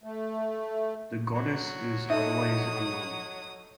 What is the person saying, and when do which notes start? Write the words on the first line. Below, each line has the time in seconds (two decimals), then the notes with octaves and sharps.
The goddess is otherwise unknown.
0.04 A3
1.34 F#3
2.10 D#4 A4 E5 D#6